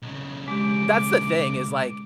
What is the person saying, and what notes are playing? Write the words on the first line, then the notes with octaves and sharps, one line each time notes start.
That's the thing is, like,
B1 C#3
G#3 G4 D6